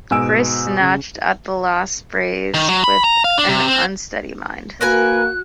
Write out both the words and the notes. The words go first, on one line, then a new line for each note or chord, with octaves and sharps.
Chris snatched at the last phrase with an unsteady mind.
G#2 B2 G#5 E6 D7
C#3
D#3
F#3
B5
A#5
F5
D4
C3
C4
A#3 F#4 A#4 B4 G#5 F#6